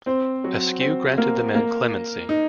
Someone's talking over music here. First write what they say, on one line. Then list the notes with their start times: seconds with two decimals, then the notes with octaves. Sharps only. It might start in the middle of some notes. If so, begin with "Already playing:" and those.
Askew granted the men clemency.
0.06 C4 C5
0.44 F#3 F#4
0.80 C4 C5
1.18 A#3 A#4
1.55 A#3 A#4
2.29 D#4